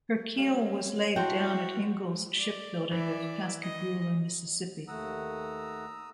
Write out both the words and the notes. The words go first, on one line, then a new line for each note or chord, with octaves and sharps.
Her keel was laid down at Ingalls Shipbuilding of Pascagoula, Mississippi.
G3 C#4 C#5 F5
E4 F#4 G5 A5 C6
D5
E3 D5 E5
D#5
D#2 A3 F#5 A#5 D#6 E6